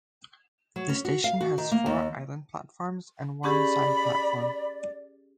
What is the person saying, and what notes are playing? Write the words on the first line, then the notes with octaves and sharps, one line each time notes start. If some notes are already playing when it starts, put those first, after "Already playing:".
The station has four island platforms and one side platform.
F#3
C#4
F#4
F5
F#4
D#3
A#3
D#2
C#4 G4 G#4 D5 B5